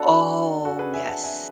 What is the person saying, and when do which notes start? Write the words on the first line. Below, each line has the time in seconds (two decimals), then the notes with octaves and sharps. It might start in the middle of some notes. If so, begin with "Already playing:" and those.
Oh, yes.
Already playing: F#3 B3 D4 F#4 A4
0.65 F#4 A4
0.79 G#4 B4
0.94 E5 G#5
1.08 F#5 A5
1.23 E5 G#5